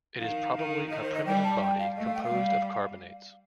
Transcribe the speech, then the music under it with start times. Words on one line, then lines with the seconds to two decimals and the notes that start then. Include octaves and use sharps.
It is probably a primitive body composed of carbonates.
0.19 D#3 F5
0.55 D#3
0.90 D#3 D#5
1.02 C5
1.14 D#5
1.26 G3 G5
1.43 A5
1.61 G5
1.79 F5
1.96 A3 D#5
2.06 F5
2.14 G5
2.23 F5
2.32 G3